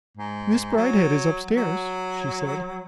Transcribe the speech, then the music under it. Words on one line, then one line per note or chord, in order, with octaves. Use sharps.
"Miss Bridehead is up-stairs," she said.
G#2
F#3
F#3